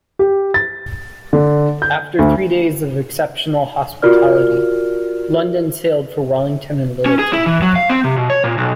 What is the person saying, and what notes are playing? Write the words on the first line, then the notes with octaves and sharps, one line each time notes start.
After three days of exceptional hospitality, "London" sailed for Wellington and Lyttleton.
G4
A6
D3
G6
D2
F4 F#4 A#4 D5 F6
C#4
G#4
E4
E3
F#3
F5
C4
C3
B2
C#5
A#2
B1